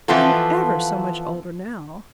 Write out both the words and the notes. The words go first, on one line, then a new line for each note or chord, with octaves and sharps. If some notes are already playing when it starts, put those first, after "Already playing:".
I'm ever so much older now....
E3 F3 B3 F4 A4